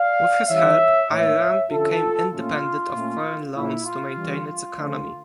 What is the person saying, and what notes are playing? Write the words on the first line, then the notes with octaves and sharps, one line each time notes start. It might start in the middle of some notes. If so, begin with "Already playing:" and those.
With his help, Iran became independent of foreign loans to maintain its economy.
Already playing: D5 F5
E3 G3 C#4 C#5 E5
A2 E3 A#3 C#5 E5
D3 F3 C#4 F4 A4
A#2 A3 C#4 F4
A#2 A3 C#4
A#2 F3 A#3 E4
F4
E3 G3 C#4
F4
D3 F3 A3 C#4